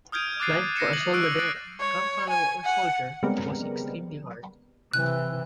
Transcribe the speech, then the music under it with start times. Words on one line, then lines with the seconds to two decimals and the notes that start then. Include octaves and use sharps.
Life for a soldadera, camp follower or soldier, was extremely hard.
0.12 D#6 F6 G6 G#6 D7 D#7
0.40 D6 F#6 A6 C7 D#7
0.76 A#6 C7 C#7 E7
0.93 D#6 F#7
1.13 C#6 E6 F#6 D7
1.38 F#6 A6 C7 D7
1.80 C#5
2.30 G#5
2.65 F#5
3.23 C#3 G3 G#3 B3 C4 A#4
4.93 C3 E3 F#6